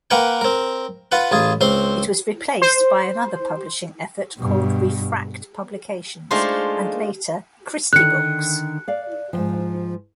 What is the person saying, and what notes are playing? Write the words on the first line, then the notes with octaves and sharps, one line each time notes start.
It was replaced by another publishing effort called Refract Publications and later ChristieBooks.
A#3 A#4 B4 F#5 G5
C4 A#4
F4 B4 F#5
A1 F4 G#4
C#2 C4 C5 C6
C5
G2 B2
G#3 A3 D4 D#4 F4 C5
D3 D#3 F#6 C#7
D5 F5
G#2 F3